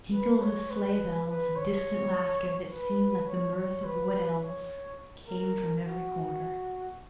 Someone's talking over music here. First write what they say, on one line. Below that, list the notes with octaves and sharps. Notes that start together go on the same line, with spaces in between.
Tinkles of sleigh bells and distant laughter, that seemed like the mirth of wood elves, came from every quarter.
B4
C#5
B4
B4
C#5
B4
C#5
C#5
B4
C#5
A#4
F#4